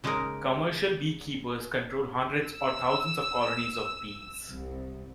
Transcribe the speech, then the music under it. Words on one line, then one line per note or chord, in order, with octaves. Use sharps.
Commercial beekeepers control hundreds or thousands of colonies of bees.
C#3 G#3 A#3 D#4 A#4
E6
C2